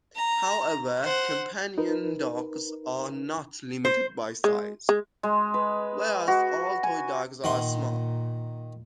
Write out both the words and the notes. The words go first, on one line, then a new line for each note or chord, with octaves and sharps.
However companion dogs are not limited by size, whereas all toy dogs are small.
A#5
C5 F#5
D#4 A#4 B4
C5
G#3
G#3
G#3
B4
F#4
G#5
A#2 D#3 F#5 C6